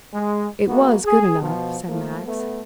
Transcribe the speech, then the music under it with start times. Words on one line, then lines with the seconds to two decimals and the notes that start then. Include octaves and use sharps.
"It was good enough," said Max.
0.14 G#3
0.68 G#3 A#3 B3 F#4
1.05 G#4
1.41 B2 F3
1.88 F3 A3 A#3
2.26 A3 B3